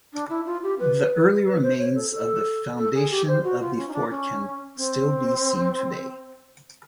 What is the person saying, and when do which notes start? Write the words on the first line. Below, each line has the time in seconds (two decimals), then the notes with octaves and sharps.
The early remains of the foundation of the fort can still be seen today.
0.13 D4
0.30 E4
0.46 F4
0.63 G4
0.79 B4
1.45 B4
1.62 C5
1.79 C#5
1.95 A4
2.11 A4
2.78 A4
2.94 G#4
3.11 G4
3.28 C5
3.44 F#4
3.60 F4
3.77 C#4
3.88 D#4
3.94 D4
4.10 C#4
4.77 C4